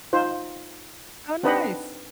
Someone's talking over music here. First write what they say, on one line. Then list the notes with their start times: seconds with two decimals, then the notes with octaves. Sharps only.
Oh nice.
0.13 D#4 F4 C5
1.43 C4 D4 D#4 B4 D#5 F#5